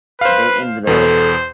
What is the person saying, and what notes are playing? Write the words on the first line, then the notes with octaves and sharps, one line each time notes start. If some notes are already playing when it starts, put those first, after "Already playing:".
they ended up
B4 C5 F5
E2 B2 B3 A4 C5